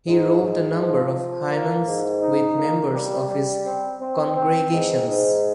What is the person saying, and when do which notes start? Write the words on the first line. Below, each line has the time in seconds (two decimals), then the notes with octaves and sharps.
He wrote a number of hymns with members of his congregations.
0.07 G#2
0.42 G#2
0.78 F3
1.14 F3
1.50 A#3
1.85 G#2
2.20 D#4
2.57 A#3
2.92 G3
3.28 G3
3.64 C4
4.00 C4
4.34 C4
4.71 G#2
5.06 G#2